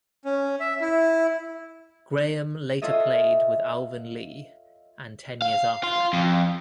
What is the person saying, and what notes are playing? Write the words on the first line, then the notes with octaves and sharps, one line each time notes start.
Graham later played with Alvin Lee and Ten Years After.
C#4
E5
E4
F4 A4 C#5 D#5 E5
F5
F4
F2